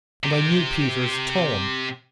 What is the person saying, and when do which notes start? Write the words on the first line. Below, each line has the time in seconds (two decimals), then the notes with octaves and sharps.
And I knew Peter's tone.
0.23 C3 G4